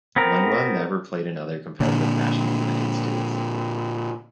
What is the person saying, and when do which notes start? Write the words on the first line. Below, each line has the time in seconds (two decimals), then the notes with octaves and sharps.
Lenglen never played another competitive match in the United States.
0.16 B3 C4 A#4
1.80 A#2 D3